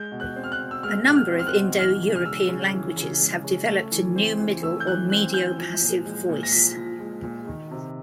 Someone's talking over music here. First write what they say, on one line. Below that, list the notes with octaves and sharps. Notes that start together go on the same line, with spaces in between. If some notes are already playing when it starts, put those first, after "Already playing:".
A number of Indo-European languages have developed a new middle or mediopassive voice.
Already playing: G#3 G6
B2
F#6
C4
F6
F#6
B2
E6
G#3 F6
B2 F#6
F6
C4
F6
F#6
B2
E3 F6
C#3
F6
G#3 E6
C#3
E3
C#3
G#3
C#3
A3
E3
C4
E3
A3 E6
G6
E3 F#6
C4 F#6
E3 G6
F3
A#2
G#3
A#2
A#6
F3 B6
A#2
G#3
A#2
D#3
C3